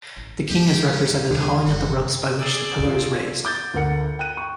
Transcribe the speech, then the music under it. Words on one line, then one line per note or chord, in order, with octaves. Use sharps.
The king is represented hauling at the ropes by which the pillar is raised.
A1 G#2
E2 G#3 G4
C#4
D#2 D3 E3 G3 G#4
F#1 E3 G3 A#3 F#4
G#4 D5 E6
D4 F4
D6 G6 A6
D2 D3 A#4 F#5 C#7
G5 F#6 D#7
C#6